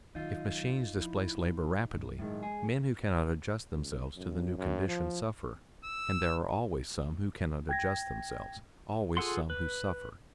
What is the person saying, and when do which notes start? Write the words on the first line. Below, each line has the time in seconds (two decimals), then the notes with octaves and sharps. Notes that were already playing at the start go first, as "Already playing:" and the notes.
If machines displace labor rapidly, men who cannot adjust themselves to the new conditions suffer, and there are always some who cannot adjust themselves, always some who suffer.
0.15 D#3 F#3 D#4 F4
0.97 F3 E4
1.92 G2 F#3
2.19 A2 D#3 G#3
2.43 G#4
3.73 C#2
4.16 F#2
4.58 F#2
4.88 F3
5.84 E6
7.69 G5 G#6 A#6
9.17 F4 G#4 A4 F#5 C6
9.50 B4